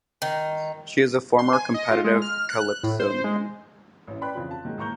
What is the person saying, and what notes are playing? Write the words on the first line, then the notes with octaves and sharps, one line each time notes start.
She is a former competitive calypsonian.
D#3
C6
G#5
D#5
F4
G#3
F6
F#6
A2
C5
G#3
A1 C#4 E4
B4 D5 G5 B5 C6 F#6
F2 C#3 E3 F3
A5
D#3 F#3 G#3
A1 A#3 A#5 C#6 G6 G7